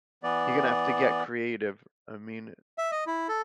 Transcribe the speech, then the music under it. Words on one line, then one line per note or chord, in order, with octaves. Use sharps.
You're gonna have to get creative, I mean,
E3 B3 D5
E5
D#5
E4
A4